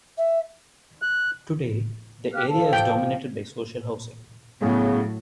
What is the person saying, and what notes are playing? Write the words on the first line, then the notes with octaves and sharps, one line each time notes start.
Today the area is dominated by social housing.
E5
F#6
G4 F5 F6 F#6
F3 A4 A5
G5
A2 C#3 F#3 B3